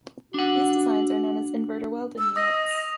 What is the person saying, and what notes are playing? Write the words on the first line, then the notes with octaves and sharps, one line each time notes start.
These designs are known as inverter welding units.
D4 F#4 F#5
E6
D#5 D#6 A#6
F7